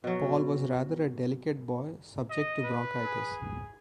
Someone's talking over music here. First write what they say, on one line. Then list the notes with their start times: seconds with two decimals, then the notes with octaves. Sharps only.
Paul was rather a delicate boy, subject to bronchitis.
0.04 B2 F#3
2.30 D#5
2.64 B4
3.05 G#4